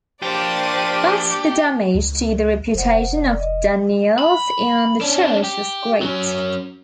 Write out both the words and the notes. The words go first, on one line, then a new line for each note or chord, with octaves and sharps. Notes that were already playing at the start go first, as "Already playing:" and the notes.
But the damage to the reputation of Danneels and the Church was great.
F3 A#3 D4 G4 C5 D5 D#7
C#2
F1 C5 F#5
D5
D#5
B5
C#4 D4
G4
F#3 C#4